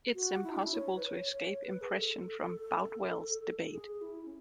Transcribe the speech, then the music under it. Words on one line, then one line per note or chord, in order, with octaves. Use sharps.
It is impossible to escape impression from Boutwell's debate.
F#4
E4
D4
E4
C#5
B4
C#5
C#5
B4
G#4
A4
A4
G#4
E4
C#4